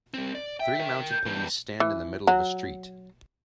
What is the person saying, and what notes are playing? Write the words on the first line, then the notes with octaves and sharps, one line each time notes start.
Three mounted police stand in the middle of a street.
G3 C4
D5
E5 G5
A#4 G5
G6
E2 G2
E3
F#3